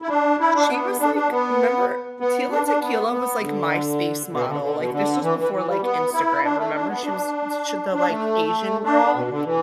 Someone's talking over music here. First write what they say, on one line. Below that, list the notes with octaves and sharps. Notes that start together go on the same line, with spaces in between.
she was, like 'member Tila Tequila was, like, MySpace model, like, this was before, like, Instagram, remember? She was ch the, like, Asian girl,
E4
D4
E4
D4
B3
D4
D4
B3
B3
D4
D4
B3
B3
D3
B2
D3
D3
B2
D3
E3
E3
E3
G3
B3
E4
D4
A3
D4
B3
D4
D4
A3
D4
B2
D3
E3